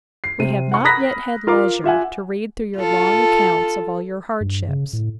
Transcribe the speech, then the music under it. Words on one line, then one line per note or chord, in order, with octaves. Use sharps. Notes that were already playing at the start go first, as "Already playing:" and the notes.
We have not yet had leisure to read through your long accounts of all your hardships.
C7
C3 C4 D#7
F#5 C#6
A#5 B5 D#6 F#6 A#6 B6
F4 A#4 F5 D6
F4 E5 F#5 G#5
F4 A4
G2
C#3
A2